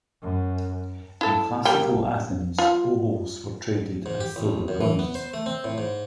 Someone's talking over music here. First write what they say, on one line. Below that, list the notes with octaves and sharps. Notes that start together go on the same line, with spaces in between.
In Classical Athens, obols were traded as silver coins.
F#2
E4 A4
G3 A#3 G5
F4
G#2
G4
A1
F#2
E3
B3
C5
A3
C4
A2
G#2